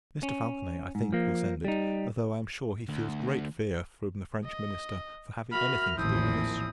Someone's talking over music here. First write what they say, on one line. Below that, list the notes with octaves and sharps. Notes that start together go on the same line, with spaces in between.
Mr. Falconet, I think, will send it; although, I am sure, he feels great fear from the French minister, for having any thing to do with us.
C#4
G#2
F3 A#3
G3 D#4
D2
D#5
F#4 A#4 E5 B5 F6
A1 D#2 A#2 F3 C4 E4 D#6